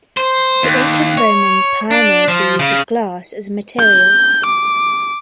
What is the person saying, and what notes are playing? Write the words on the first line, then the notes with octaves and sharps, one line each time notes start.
The Ancient Romans pioneered the use of glass as a material.
C5
D#2
C#5
D4
F3
C#3
G6
D6